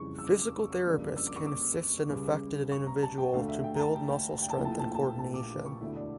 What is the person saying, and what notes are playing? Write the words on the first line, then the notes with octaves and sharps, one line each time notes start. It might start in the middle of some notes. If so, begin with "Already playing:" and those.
Physical therapists can assist an affected individual to build muscle strength and coordination.
Already playing: F2 C#3 E3 G3 C#6
E6
D6
D6
D6
F2 C#3 G3 A#3 D4 E6
E6
D6
C#6
D6
C#2 C#3 G3
C#6
A#5
A5
G5
D2 D3 A3 F5
E5
G5
A#5
A5
G5
G5
G5
A5
A#1 A#2 A3 E4 G5
A5
G5
A5
G5
A5
G5
A5
D6
D6
C#6
E1 D2 D3 A3 E4 E5
D5